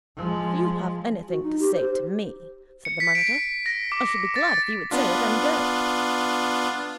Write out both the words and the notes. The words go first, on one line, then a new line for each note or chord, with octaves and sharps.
'If you have anything to say to me,' said the manager, 'I should be glad if you would say it, and go.'
F3 G#3
F#4
D#4
G4
C5
C#7
B6
D7
A#6
D6
A6
B3 D4 F4